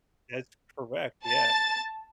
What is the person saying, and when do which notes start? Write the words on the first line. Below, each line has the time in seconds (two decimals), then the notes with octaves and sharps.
That's correct, yeah.
1.25 A5 A6